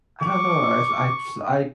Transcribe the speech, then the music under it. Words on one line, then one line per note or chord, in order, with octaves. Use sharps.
I don't know, I I s I
C#6 D6